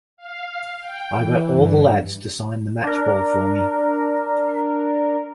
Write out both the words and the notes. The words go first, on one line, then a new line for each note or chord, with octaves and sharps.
I got all the lads to sign the match ball for me.
F5
G5
E3
G2
D4 A#4